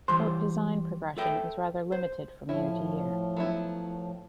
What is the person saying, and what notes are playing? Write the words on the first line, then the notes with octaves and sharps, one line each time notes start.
Boat design progression is rather limited year to year.
E3 G3 C5 C6
A4 E5 G5
C5
A2 F3 C#4 E4
F#3 B3 E4